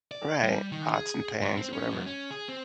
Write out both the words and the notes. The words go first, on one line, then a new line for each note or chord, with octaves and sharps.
Right, pots and pans or whatever.
D5
G3
D#3
G#4
G#2
C4
C#4
F#2
C#4
G#4
C4